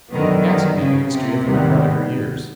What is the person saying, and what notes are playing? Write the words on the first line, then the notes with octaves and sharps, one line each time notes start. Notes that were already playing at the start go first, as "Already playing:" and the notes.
He asked me the history of my earlier years.
F#2 D3 D#3 F#3 B3
D#3
C#3
C3
D#2 D#3 G3 B3